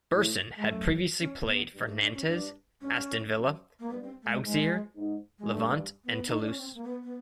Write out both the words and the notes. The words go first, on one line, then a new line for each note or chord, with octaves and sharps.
Berson had previously played for Nantes, Aston Villa, Auxerre, Levante and Toulouse.
A2
G#3
F#2 A3
C#4
B3
G2
A3
D4
C#4
G2 D4
G2 C#4
F#2
A#3
G2 B3
C4
A3
G#3
G#2 G#3
G#2
G#3
G2 A3
B3
D#4
D4
C#4
C4
A#3
B3
B3